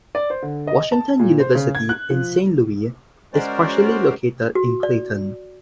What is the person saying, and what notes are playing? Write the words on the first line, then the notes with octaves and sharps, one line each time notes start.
Washington University in Saint Louis is partially located in Clayton.
D5
C5
D3
D#5
A5
A#2
C5
C#3
G#6
F#6
F3
G#3 C#4 F#4 A#4 C5 D5
F#4
D5